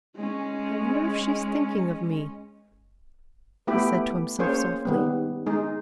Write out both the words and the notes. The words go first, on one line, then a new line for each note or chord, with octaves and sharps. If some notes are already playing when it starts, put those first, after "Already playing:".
"I wonder if she's thinking of me?" he said to himself softly.
G#3 C#4
A3 B3 E4 G4 B4
A#3 C#4 G#4 C5 C#5
D#3 G3 B3
G#3 D#4 G#4